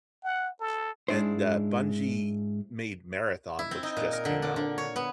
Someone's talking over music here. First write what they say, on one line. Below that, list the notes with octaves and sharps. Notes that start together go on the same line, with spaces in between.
and, uh, Bungie made Marathon, which just came out.
F#5
A4
G#2 G#3 A3 D4 E4 C5
E4
C4
D#4
A#2
A#4
D3
D4
D3
C#5
B3